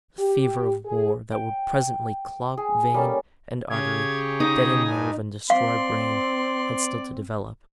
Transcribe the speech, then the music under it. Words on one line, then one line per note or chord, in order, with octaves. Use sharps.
The fever of war that would presently clog vein and artery, deaden nerve and destroy brain, had still to develop.
G4
G#4
G5
G#4
G3 A#3 C#4 A4
C#3 G4 G#4 C#5 G#6
D#4 D#6
G2 G#5
C4 D5 F5 C6